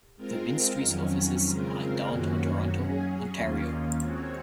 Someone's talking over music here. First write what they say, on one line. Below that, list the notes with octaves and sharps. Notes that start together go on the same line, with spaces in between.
The Ministry's offices are in downtown Toronto, Ontario.
G#3 C4 F4 A#4
F2 D#3 F#3 C#4
C#3 G#3 C4 F4 A#4
F#2 D#3 A#3 C#4 F#4
F#3 C#4 G#4
D#2 D#3 A#3 C#4 F4
G#3 C4 F#4 C#5